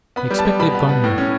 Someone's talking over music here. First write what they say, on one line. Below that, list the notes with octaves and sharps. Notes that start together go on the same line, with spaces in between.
I expect they've gone there.
B3 B5
G3
A5
G3
B2 B5
B3
B3
A2
C#4